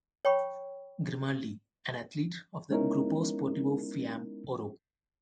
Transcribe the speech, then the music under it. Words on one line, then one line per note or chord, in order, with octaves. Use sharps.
Grimaldi an athlete of the Gruppo Sportivo Fiamme Oro.
C#5 G5 B5 C#6
G#3 B3 C#4 D#4 E4 A#4